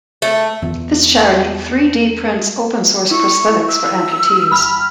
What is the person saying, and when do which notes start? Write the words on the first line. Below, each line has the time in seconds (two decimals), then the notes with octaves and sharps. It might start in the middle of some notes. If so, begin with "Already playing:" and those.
This charity three-d prints open source prosthetics for amputees.
0.22 A3
0.62 E2 F4
3.11 E4 C#6
3.68 E6
4.51 G1 B5 F6